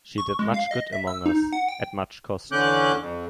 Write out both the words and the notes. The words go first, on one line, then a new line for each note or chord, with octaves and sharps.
She did much good among us at much cost.
C#6
G#3
F5
D#5
E5
E6
D#4
F#5
G5
E2 D3 C#4 D6 F#6 G6
F2